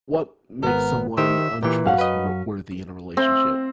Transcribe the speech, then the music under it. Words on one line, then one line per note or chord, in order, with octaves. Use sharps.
what makes someone untrustworthy in a relationship?
G#1 B3 A#4
D#3 G4 C5 E5
A#2 E3 G4
F#2 C#4 F5 F#5
C#4 B4 D#5
C4